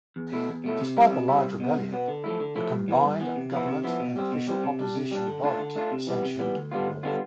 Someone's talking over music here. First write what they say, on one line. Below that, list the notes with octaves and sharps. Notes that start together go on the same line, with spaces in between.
Despite a large rebellion, the combined Government and official Opposition vote sanctioned war.
E2
B2 A3 E4
E2
B2 A3 E4
C3
G3 C4 E4
C3
G3 C4 E4
C2
B2 B3
C2
B2 B3
D3
F3 A3 E4
D3
F3 A3 E4
G2
E3 B3
G2
E3 B3
C3
F3 B3 E4
C3
F3 B3 E4
B2
G3 C4
B2
G3 C4
C3
G3 D4
C3
G3 D4
D3
A3 D4 F4
D3
A3 D4 F4
C3
E3 G3 B3
C3
E3 G3 B3
D2
D3 G3 B3 F4
D2
D3 G3 B3 F4